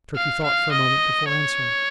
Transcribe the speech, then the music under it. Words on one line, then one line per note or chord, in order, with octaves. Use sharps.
Turkey thought for a moment before answering.
F5
F5
D#5
C#5